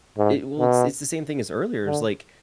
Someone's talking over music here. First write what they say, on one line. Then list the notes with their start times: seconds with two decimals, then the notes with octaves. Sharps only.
It well, it's it's the same thing as earlier, is like,
0.17 G#2
0.59 B2
1.86 D3